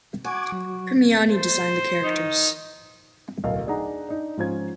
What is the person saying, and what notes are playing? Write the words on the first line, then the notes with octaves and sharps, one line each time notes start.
Premiani designed the characters.
F#4 G#5 D6
F#3
C5
D#3 D#4
D1 B1 A#4 F5
D4 D#4 G#4 D#5 F#5 A#5
D4 D#4
G#2 F3 C#4 F4 C5 G#6